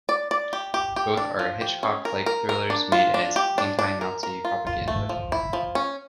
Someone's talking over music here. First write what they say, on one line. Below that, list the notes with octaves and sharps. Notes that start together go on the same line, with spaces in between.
Both are Hitchcock-like thrillers made as anti-Nazi propaganda.
D5
D5
G4
G4
G4
D4
F3
G4
C#4
A#4
A#4
A#4
D4
F4
D4
G4
D4
D4
A#4
A#4
F4
F4
A3
F3
E4
F3
C#4